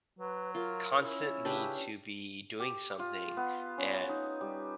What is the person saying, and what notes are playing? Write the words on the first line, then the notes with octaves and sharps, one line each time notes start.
constant need to be doing something, and
F#3 B4
F4 A#4
C#4 E4
C#3 D4 G4 B4
G4
F4
B3
C#4
D#4
G3